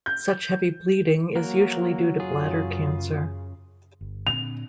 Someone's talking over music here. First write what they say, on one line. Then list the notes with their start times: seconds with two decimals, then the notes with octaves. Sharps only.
Such heavy bleeding is usually due to bladder cancer.
0.06 G6
1.36 F#3 A#3 F#4 A#4
2.20 F#2 C#3 F4 G#4
4.01 G1
4.27 A#2 D3 C4 F7